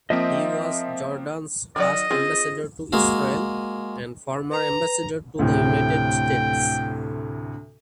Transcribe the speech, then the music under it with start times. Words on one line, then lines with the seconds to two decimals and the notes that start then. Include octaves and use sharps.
He was Jordan's first ambassador to Israel and former ambassador to the United States.
0.10 F3 A#3 C4 D#5 E5 D#6
1.76 D#3 F#3 D5 D#5
2.11 C4 F4 G#4
2.93 G#3 A#3 F#4 G#4
4.52 B4 A#5
5.39 D2 A2 C3 G5